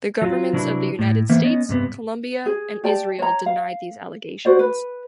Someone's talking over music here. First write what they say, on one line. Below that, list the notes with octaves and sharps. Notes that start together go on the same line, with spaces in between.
The governments of the United States, Colombia, and Israel denied these allegations.
F#3 F4
C3 F#3 D4 E4 B4
A2
E3 A#3 B3 C5 E5
B3 C#4 D#5
G2 C3 B3
G#4
G4 D5 A5
C#5 A#5
F5
F#4 C5 D5
B4